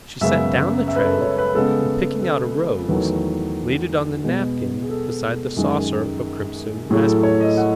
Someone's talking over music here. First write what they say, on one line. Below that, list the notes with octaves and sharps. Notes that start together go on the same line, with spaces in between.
She set down the tray, and picking out a rose, laid it on the napkin besides the saucer of crimson raspberries.
F#2 C#3 G#3 B3 E5
E5
B4
A4
C#5
B4
C#3 G#3 B3 A4
A4
E2 D#3 F#3 A3 B4
B2 G#3 B3
G#4
A4
F#2 D#3 G#3
A2 F#3 A3 G#4
A4
C#5
D#5
F#5